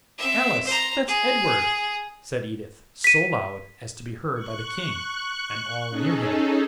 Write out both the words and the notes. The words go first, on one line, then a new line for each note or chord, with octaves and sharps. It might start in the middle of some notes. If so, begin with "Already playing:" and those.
"Alice, that's Edward!" said Edith, so loud, as to be heard by the king, and all near him.
C4 E5
C5 A#5
G#4
B6 D#7
C#6 F#6
C#4 D#4 G#4 A4